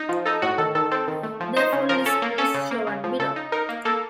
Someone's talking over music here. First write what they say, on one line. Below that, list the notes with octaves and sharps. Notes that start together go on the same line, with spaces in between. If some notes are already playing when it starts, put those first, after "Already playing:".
The full list is shown below.
Already playing: D#4
F3
D#4 A4
A2 F#4
D#3 A4
D#3 A4
C4 A4
D#3
A3
F3
D#4 C5
C#3
F3 A#4
C#4 A4
A#3
C#4 A4
C#3
A#3
C#3
F3
C#3 A4
D#4
D#4 A#4
A#3
A#3 A4